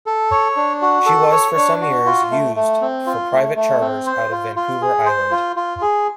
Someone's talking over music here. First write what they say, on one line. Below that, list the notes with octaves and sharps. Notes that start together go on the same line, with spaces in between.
She was for some years used for private charters out of Vancouver Island.
A4
C#5
D4
F#4
A4
C#5
D4
F#4
F4
A3
A3
C4
F4
A3
A3
C4
C5
F4
F4
G#4
C5
F4
F4
G#4